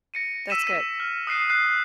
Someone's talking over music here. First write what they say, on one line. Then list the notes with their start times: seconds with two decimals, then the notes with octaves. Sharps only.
That's good.
0.14 A#6 C#7 D#7
0.50 E6 B6 D#7 E7
0.64 E6 D#7
1.00 F6
1.27 D#6 F#6 C7 D#7
1.50 D#6 F#6 C7